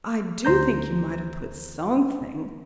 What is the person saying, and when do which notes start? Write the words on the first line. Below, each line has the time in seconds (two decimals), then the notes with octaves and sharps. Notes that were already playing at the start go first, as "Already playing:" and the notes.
"I do think you might have put something."
0.45 D2 C5 A#5 G6